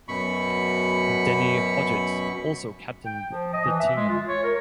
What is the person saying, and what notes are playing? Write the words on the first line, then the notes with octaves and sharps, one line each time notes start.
Denny Hodgetts also captained the team.
F#2 B2 B5 C#6
G5
F3
D#5
E3
E5
G#3
F4
C#5
A#4